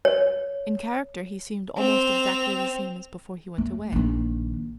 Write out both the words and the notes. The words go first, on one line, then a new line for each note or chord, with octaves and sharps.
In character he seemed almost exactly the same as before he went away.
C#5
C4 F7
A3
A#1 D#3